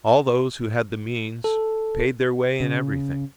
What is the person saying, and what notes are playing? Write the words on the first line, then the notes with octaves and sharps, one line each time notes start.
All those who had the means paid their way in everything.
A4
C#3